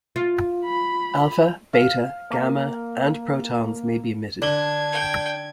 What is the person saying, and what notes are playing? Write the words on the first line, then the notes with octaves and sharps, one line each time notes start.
Alpha, beta, gamma, and protons may be emitted.
F4
B5
F5
A#3
D3 D4 G#6 F#7 G7
G5